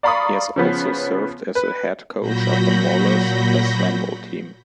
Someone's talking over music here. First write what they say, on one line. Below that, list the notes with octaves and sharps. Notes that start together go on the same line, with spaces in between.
He has also served as the head coach of the Maulers, a Slamball team.
D5 F5 A#5 B5 C#6 D#6
C#3 F3 B3 C#4
B4
A#2 F#3 F#4 B5 G6 A#6